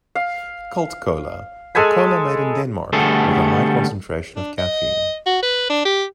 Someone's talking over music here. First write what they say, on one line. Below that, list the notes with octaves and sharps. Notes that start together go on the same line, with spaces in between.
Cult Cola a cola made in Denmark, with a high concentration of caffeine.
F5
G#3 A4 G#5 B5
D3 G3 A3 B3 G#4 A4
D4
D#5
F#4
B4
D4
G4